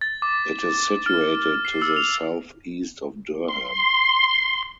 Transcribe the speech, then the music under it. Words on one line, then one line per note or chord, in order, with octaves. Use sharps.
It is situated to the south-east of Durham.
A6
D6
F6
C7
E6
F7
C6